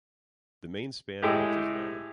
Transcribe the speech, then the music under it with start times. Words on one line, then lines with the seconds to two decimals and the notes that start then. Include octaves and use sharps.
The main span arch is long.
1.22 A2 G#3 G4